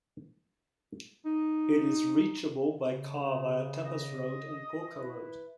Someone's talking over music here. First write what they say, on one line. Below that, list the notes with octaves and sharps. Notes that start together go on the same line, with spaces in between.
It is reachable by car via Topaz Road and Gourka Road.
D#4
C#3
D#5
E4 B4